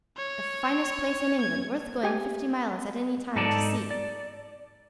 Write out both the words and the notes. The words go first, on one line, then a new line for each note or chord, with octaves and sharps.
"The finest place in England--worth going fifty miles at any time to see."
C#5
G#6
G4 G#5
G#2 D#4 A4 D5 A5
D5